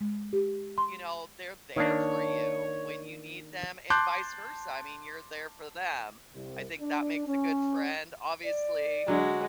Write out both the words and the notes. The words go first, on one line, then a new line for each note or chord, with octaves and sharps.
you know, they're there for you when you need them and vice versa. I mean, you're there for them. I think that makes a good friend. Obviously,
G#3
G4
C6
D#3 A#3 D4 C#5
A5 C6 D6 F#6 G6
C2
D4
C#4
D5
D3 F#3 G#3 F#4